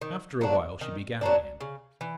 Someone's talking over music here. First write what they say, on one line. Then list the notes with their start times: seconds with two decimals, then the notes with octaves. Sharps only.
After a while, she began again.
0.01 D#3
0.41 F#3 A#3 D4
0.81 D#3
1.21 F#3 A#3 D4
1.61 C#3
2.01 E3